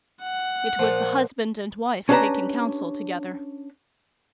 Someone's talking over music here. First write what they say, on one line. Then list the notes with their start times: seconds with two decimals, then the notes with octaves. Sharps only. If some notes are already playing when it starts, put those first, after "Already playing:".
It was the husband and wife taking counsel together.
0.23 F#5
0.79 A#2 F3
2.09 C#4 D4 G4 B4 A5 A#5